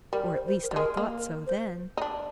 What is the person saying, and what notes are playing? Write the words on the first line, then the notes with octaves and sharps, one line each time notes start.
Or at least I thought so then.
G3 A#4
C5
C5
A#4
G3
G#3 A#4
A#3
A#4
C5
D#4
D4